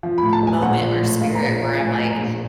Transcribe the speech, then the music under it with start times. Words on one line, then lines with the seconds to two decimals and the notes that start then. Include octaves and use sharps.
moment, or spirit, where I'm like,
0.03 F3
0.18 B5
0.23 A2
0.33 A5
0.43 G#3 G#5
0.62 A#1 F#5
0.81 F3
1.01 A2
1.21 G#3 F5
1.35 A#5
1.41 A#1
1.60 F3 A#5
1.79 A2 G#5
1.95 G#5
2.00 G#3
2.10 A#5
2.19 A#1